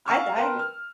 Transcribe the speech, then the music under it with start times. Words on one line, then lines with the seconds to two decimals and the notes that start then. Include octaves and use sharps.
I I
0.06 F5 F#5 G#5 C#6 E6 F6
0.36 A#4 B4 G5 A5 C6
0.59 F6